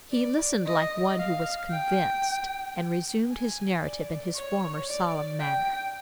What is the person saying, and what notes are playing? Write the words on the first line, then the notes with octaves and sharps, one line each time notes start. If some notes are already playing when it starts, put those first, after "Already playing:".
He listened like one who was convinced, and resumed his narrative in his former solemn manner.
D5
D#5
F5
G5
G#5
D5
C#5
D5
G5